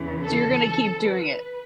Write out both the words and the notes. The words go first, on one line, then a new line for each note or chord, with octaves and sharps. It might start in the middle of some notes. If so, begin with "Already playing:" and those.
So, you're gonna keep doing it.
Already playing: E2 C#3 E3
A4
B4